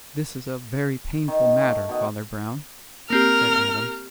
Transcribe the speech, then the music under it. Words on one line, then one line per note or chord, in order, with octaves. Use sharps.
"This is a very painful matter, Father Brown," said Adams.
D#3
A3
B2 D#3 D#5 F#5
A#3 C4 G4 A#4 F6